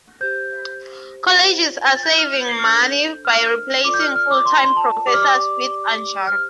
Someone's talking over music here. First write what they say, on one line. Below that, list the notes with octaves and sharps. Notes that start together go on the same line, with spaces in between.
Colleges are saving money by replacing full-time professors with adjuncts.
G4 C5 G6
F4 C5
A6
G6
F6
G6
C7
F6
D4 A4 C5 G6
F6
F4 A4 D5 D6
G6
F6
F6
D6
C6
C6
A5
G4 D5 D6
F6
D6
G4 C5 F6